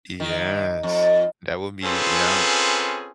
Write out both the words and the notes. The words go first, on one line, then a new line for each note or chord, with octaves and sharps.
Yes, that would be yeah.
D#3
F2
C4 C#4 F4 G#4 A4 B4